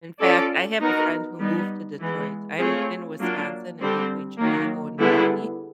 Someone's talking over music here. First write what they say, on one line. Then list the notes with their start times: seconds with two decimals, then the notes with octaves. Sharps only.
In fact, I have a friend who moved to Detroit. I'm in Wisconsin, in between Chicago and Milwaukee,
0.19 C#4 F4 A4 D5
0.80 B3 D#4 F#4 A#4
1.39 G3 B3 D#4
1.99 E3 G#3 B3
2.59 A3 C4 F4 G#4 C#5
3.18 F#3 A#3 D4 F4
3.79 D3 G3 C4
4.39 D#3 F#3 A#3
4.98 D3 G3 B3 E4 G#4